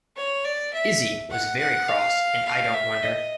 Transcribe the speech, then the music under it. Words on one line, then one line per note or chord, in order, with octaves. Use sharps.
Izzie was very cross and I don’t wonder.
C#5
D5
E5
F#5
F#5
F5
F5
E5
D#5